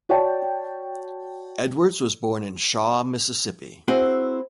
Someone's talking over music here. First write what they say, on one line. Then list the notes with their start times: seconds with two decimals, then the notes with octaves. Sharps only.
Edwards was born in Shaw, Mississippi.
0.09 F#4 C#5 D5 G5 A5
3.88 C4 E4 F#4 G#4